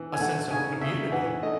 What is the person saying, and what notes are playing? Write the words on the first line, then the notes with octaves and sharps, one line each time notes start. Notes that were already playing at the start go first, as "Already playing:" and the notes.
a sense of community,
Already playing: E3
G#5
A3 F#5
C#3 G#5
C#3 E5
E3 F#5
A3 D#5